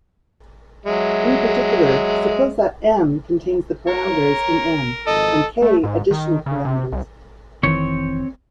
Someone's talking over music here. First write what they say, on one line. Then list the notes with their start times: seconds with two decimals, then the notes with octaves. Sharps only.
In particular, suppose that "M" contains the parameters in "M", and "k" additional parameters.
0.86 F#3 G#3 E5
3.87 A#4 C#5 A#5
5.07 G#1 F3 D#4 A4 D#5
5.62 A3
5.84 G#2
6.11 D#3
6.46 C#3
6.65 C3
6.92 C2
7.63 F1 D#3 E3 C4 C#5